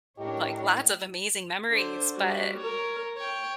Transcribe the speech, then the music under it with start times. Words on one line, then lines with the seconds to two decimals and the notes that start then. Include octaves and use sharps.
like, lots of amazing memories. But,
0.18 A2 D4 G4 A#4 C#5 D#5
1.70 D3 C5
2.13 G3 F#4
2.58 A#4 C#5
3.18 C#5 G5